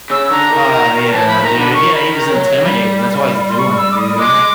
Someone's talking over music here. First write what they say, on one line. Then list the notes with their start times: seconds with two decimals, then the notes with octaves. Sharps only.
Oh, yeah, dude. Yeah, he was intimidated, that's why he's doing it, dude.
0.10 C#3 E6
0.31 D3 A#5
0.51 D#3
1.12 E3 A5
1.27 F3 B5
1.43 D#3 A#5
1.58 D3 B5
1.74 D#3 C#6
1.95 B5
2.14 A#5
2.35 F#3
2.65 G3
3.49 C6
3.58 C#6
3.77 E6
3.91 D6
3.98 D#6
4.18 G#3 D6
4.34 G#3